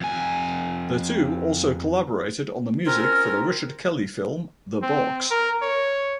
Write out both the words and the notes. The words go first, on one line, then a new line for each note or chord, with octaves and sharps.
The two also collaborated on the music for the Richard Kelly film "The Box".
F2 G#5
C4 C#4 F4 A#4
C4
A#4
C#5